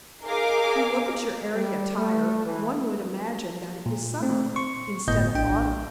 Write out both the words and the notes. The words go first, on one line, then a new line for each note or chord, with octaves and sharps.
To look at your airy attire one would imagine that it was summer instead of autumn.
D#4 G#4 A#4 F5 D6
G3
A3
E3
A#2
A3 C4
C6 C#6
G1 A2 B3 D#5 G6
A#1 D4 G5